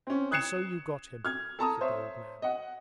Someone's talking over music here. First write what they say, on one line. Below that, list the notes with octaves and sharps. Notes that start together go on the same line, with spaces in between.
'And so you got him!' said the old man.
C4 C#4
D#6 F#6 G#6 C7 C#7 E7
F6 G#6
A4 A5 A#5 D#6
C5 C#5 E5
D#5 F#5